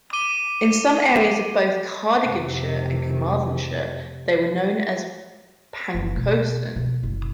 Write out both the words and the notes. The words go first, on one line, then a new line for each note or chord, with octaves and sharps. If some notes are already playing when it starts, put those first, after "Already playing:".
In some areas of both Cardiganshire and Carmarthenshire they were known as "pancosen".
D6 D#7 G7
F1 C3
F#1
B2
B2
F#1